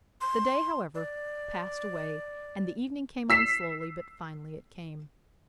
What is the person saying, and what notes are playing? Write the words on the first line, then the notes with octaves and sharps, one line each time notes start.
The day, however, passed away; and the evening came on slowly, but finally it came.
C6
D5
E6 B6 C7 E7